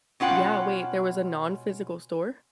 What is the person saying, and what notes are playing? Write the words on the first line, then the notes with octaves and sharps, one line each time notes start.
Yeah, wait, there was a nonphysical store?
B2 C#4 F4 F#5 G5